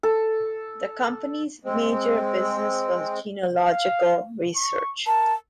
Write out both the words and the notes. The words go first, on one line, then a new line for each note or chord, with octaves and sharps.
The company's major business was genealogical research.
A4
G#3 C4
F5
C#6
A#4 A5